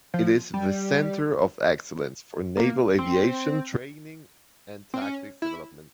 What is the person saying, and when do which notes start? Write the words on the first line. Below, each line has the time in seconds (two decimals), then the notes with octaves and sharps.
It is the center of excellence for naval aviation training and tactics development.
0.14 F3
0.54 G3
2.57 A#3
2.99 C4
4.94 C4
5.02 C#4
5.42 E4